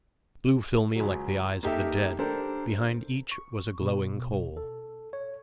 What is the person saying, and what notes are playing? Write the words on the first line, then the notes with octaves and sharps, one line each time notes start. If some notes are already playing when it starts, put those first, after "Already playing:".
Blue-filmy like the eyes of the dead, behind each was a glowing coal!
C#2 F#3
A#3 D#4 G4 A4 A#4 E5
D4 G4 A4 A#4 C5
C#6
B2
A4
C#5